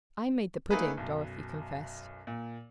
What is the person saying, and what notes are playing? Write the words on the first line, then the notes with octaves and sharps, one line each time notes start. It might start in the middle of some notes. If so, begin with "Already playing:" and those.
"I made the pudding," Dorothy confessed.
A3 A#3 D#4 G#4 B4
B1 F#2
A#2